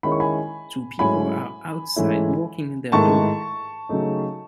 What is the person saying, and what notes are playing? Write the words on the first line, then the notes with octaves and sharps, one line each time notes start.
Two people are outside walking their dog.
D#3 G#3 C#4 E4 B5
C#6
G#5 B5
G#2 F#3 A3 C#4 E4 G#5 B5
G#2 E3 A3 C#4 E4
G#2 D#3 A3 E4 A5 C#6
C#3 F#3 A3 D#4